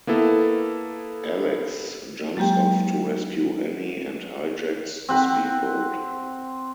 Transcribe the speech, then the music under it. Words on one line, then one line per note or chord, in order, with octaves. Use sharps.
Alex jumps off to rescue Annie and hijacks a speed boat.
A#3 B3 E4 A4
F#3 G#3 A#3 G4 G5
C4 F#5 B5